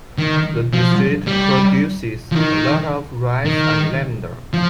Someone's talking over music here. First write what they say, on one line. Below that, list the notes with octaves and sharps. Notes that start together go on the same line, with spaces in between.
The district produces a lot of rice and lavender.
D#3
F3
G3
F3
D#3
D#3
F3